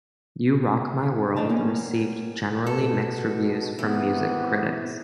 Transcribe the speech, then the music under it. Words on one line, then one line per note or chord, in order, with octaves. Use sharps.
"You Rock My World" received generally mixed reviews from music critics.
D2 C#3 E3 D4 D#4 A5
G3 A#3 B3 C#4
B2 A4
C3 E3 B3